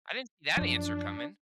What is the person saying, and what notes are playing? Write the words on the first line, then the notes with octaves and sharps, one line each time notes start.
I didn't see that answer coming.
F#2 F3 D4